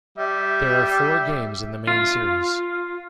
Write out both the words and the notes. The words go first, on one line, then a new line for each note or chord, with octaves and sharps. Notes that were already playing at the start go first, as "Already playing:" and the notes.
There are four games in the main series.
G3 E5
F4